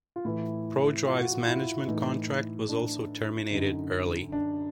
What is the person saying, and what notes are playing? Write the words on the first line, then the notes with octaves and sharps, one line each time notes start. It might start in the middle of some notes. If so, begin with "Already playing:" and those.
Prodrive's management contract was also terminated early.
F4
A2 E3 E4
F4
F#4
F4
F4
E4
A2 E3 D#4
D4
F#2 D3 D#4
D4